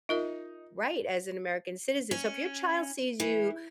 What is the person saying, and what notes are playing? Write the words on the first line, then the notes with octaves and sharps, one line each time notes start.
right as an American citizen. So, if your child sees you,
D#4 F4 A#4 E5
C#4
E3